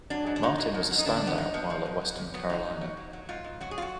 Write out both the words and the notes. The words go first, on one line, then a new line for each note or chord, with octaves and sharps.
Martin was a standout while at Western Carolina.
F#3 D4
G#2
D4
F#3 D#4
F#3
F2
F#3
D#4
D3 D4
D4
F2
B3
G#2 D#4
F3 B3
F3
G#2
F#3
A#2
F#3 B3
F#3 D#4
F#3
F#3
F#3
F#3
G#2 F4
G#2
F#3 F#4
G#4
F4
F#4